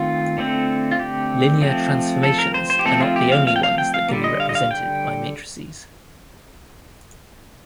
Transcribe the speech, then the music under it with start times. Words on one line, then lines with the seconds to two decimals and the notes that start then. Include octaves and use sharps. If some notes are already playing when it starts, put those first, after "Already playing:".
Linear transformations are not the only ones that can be represented by matrices.
Already playing: D#3 A3 C4 F4
0.38 D3 A3 C4
0.91 F4
0.99 G4
1.61 F3 A3 C4
2.23 A4
2.39 A#4
2.54 C5
2.70 C5
2.79 G4
2.85 F3 A3 C4 A4
3.01 F4
3.16 G4
3.32 F5
3.47 F5
3.56 G5
3.63 F5
3.78 G5
3.94 F5
4.09 D3 G3 A#3
4.24 D#5
4.40 F5
4.49 D#5
4.55 F5
4.71 G5